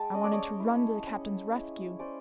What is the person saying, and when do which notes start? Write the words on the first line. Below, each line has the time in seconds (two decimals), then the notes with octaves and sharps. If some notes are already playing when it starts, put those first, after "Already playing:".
I wanted to run to the captain's rescue.
Already playing: G#3 G5 A5
0.14 C#4 D#5
0.24 D5
0.33 C#5 D#5
0.60 E4
1.07 C#4
1.53 E4
1.99 C#4 C5 D5